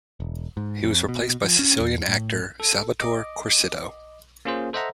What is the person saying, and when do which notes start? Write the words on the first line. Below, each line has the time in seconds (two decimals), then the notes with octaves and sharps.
He was replaced by Sicilian actor Salvatore Corsitto.
0.20 E1
0.57 G#2
0.84 F2
1.09 B2
1.44 F3
1.59 C#4
1.80 E2
2.09 A2
2.60 A4
3.00 D#5 D6
4.45 A#3 C#4 F4 G#4 C5
4.73 A4 C5 D#5 E5 F#5 A#5